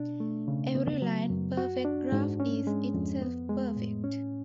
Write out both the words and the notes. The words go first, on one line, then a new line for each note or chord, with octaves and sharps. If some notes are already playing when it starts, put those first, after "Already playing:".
Every line perfect graph is itself perfect.
Already playing: B2 D4
A3
C#3
B3
F#3
F#2
F#4
D4
G#2
C#4
G#3
F2
B3
G#3
A2
C#4